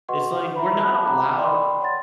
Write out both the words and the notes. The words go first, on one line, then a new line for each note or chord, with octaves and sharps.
It's like we're not allowed
F#4 B4 D#5 F#5 C6 C#6
E5 A#5 B5
A5 B5 F#6
F#5 A#5 B5 D6
D5 D#5 G5 B5 C6
C#5 F#5 C6 A6